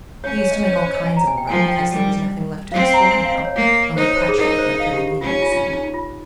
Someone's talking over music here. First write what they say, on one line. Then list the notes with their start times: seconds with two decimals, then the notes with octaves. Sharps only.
He used to make all kinds of a row because there was nothing left to explore now, only patchwork and filling in, he said.
0.24 C#4 C#5
0.38 C#5
0.51 D#5
0.65 C#5
0.76 C5
0.86 C5
0.96 D#5
1.06 G#5
1.17 A#5
1.27 G#5
1.37 G5
1.47 F3 G#5
1.58 G#5
1.68 G5
1.78 G5
1.90 G3
2.72 C4 F5
2.82 G5
2.93 A#5
3.03 G#5
3.14 G#5
3.25 F5
3.35 D#5
3.45 C#5
3.55 A#3
3.96 D#4 C5
4.07 C#5
4.17 C5
4.28 G#4
4.38 D#4 A#4
4.49 A#4
4.58 C5
4.69 D#5
4.80 F5
4.94 G4
5.07 G4
5.21 C#4 F4
5.31 D#4
5.42 F4
5.52 F4
5.73 D#4
5.84 D#4
5.94 F4